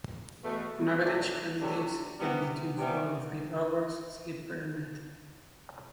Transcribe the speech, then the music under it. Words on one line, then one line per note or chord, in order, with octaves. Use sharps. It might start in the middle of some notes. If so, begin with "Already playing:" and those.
On average candidates get between four and five hours sleep per a night.
E2 B2 A3
C3 F#3 A3 D4
C3 F#3 A3 D4
C3 E3 G3 B3
C3 E3 G3 B3